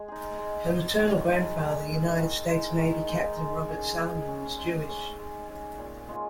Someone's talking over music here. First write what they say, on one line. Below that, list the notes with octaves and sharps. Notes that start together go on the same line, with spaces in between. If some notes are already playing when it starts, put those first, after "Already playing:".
Her maternal grandfather, United States Navy Captain Robert Salomon, was Jewish.
Already playing: G#3
D#4 G#4
G#3
D#4 G#4
D#3
G#3 D#4
D#3
G#3 D#4
D#3
G#3 D#4
D#3
G#3 D#4
G#3
C#4 G#4
G#3
C#4 G#4
G#3
C#4 G#4
G#3
C#4 G#4
A#2
G#3 C#4 F4